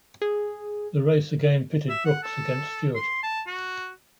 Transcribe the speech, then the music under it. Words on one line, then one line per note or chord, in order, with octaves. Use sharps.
The race again pitted Brooks against Stewart.
G#4
E5
F#5
A4
C6
A5
F#4